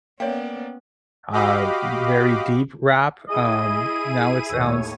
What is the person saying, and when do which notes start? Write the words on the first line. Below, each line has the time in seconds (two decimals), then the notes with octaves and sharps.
uh, very deep rap, um, now it sounds
0.20 A#3 B3 C#4 C#5 D5 F5 G5
1.33 F#4 G4 D#5 F5 B5 D6
3.28 E4 G#4 D#5 D#7
4.49 D#2 A2 C#5 E6